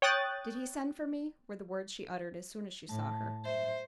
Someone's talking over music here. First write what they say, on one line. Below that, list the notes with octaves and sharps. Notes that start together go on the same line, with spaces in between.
"Did he send for me?" were the words she uttered as soon as she saw her.
C#5 G5 D#6 F#6 A6
A2 A5
C5 E5